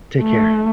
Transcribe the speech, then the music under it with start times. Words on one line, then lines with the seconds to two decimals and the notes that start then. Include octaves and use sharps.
Take care.
0.21 A3